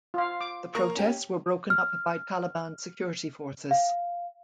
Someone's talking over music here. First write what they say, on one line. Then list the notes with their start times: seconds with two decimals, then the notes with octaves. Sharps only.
The protests were broken up by Taliban security forces.
0.14 F4 F5
0.41 D6
0.75 A#3 A#4 C#6
0.97 C#4 G4
1.70 F6
3.71 F5